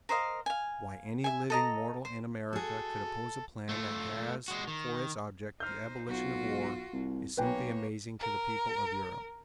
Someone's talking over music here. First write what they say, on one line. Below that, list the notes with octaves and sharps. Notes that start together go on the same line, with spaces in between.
Why any living mortal in America could oppose a plan that has for its object the abolition of war is simply amazing to the people of Europe.
A#4 C5 D#5 F5
F5 G#5
E5 G#5
A4 D#5 A#5
C5
F#4 G#4 A4
A3 F4
G#3 F#4
D#3
D#4 C5 F6 G6
B1 F4 F#4
C2
B1 A#3 B4 C#5 G5 G#5
A#4